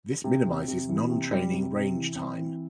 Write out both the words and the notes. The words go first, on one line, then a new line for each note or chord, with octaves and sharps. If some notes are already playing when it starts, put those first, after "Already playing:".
This minimizes non-training range time.
C3
C3
C3
E3
C3
G3
C3
C3
E3
C4
E3